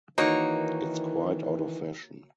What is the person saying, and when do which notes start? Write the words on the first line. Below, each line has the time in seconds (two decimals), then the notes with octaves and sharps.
It's quite out of fashion.
0.18 D#3 E3 A#3 D#4 F#4 C#5